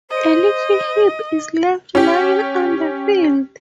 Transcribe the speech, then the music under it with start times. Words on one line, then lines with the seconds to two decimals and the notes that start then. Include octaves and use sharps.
A little heap is left lying on the field.
0.10 C5 D#5
1.95 C#4 G4